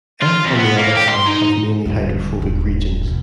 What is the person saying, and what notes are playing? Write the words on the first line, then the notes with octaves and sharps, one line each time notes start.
F on the other hand has mainly hydrophobic regions.
F4
F2
B3
A#3
G4
C6
D#4
D#1 D3
D#1 G#2
E2 B2